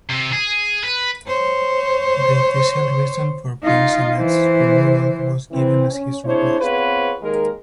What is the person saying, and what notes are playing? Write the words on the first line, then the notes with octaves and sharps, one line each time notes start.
The official reason for Prince Ahmed's removal was given as his request.
C3
G#4
B4
C5 C#5
D#4 F4
E3 C5
C3 E3 C4
C#4
G#3 C4 D4 E4 C5 C#5
B3 C4 F4 G#4 B4 C#5
D#2 D#3 G#3 G#4 A#4